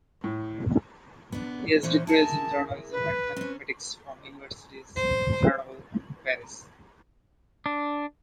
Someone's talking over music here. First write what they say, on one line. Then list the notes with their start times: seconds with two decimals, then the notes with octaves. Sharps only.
He has degrees in journalism and mathematics from universities in Grenoble and Paris.
0.24 A2
1.32 B3 D4
1.83 A#2 E3 C#4 C5
2.07 E4 G#4 A#4 A5
2.92 B4
3.37 C4 C#4
4.96 C5
7.66 D4